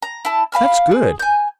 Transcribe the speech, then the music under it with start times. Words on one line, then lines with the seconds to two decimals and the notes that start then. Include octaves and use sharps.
That's good.
0.02 A#5
0.25 E4 A5
0.52 F5 G#5 B5 F6
0.91 G#4
1.19 G#5 G6